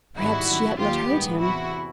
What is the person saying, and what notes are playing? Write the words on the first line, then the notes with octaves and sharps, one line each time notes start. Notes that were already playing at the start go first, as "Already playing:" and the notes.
Perhaps she had not heard him.
G#1 G#2 D#3 G3 E4 F#4
G#1 F#2 D#3
D#2 D#3 F#3 A#3 F4 G4
A1 G2 D#3 G#3 B3
E2 C3 E3 E4 F#4